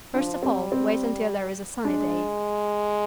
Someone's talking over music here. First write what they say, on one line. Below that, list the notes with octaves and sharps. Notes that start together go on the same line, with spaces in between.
First of all wait until there is a sunny day.
F3 D4
G3 C4
C4
G#3 D4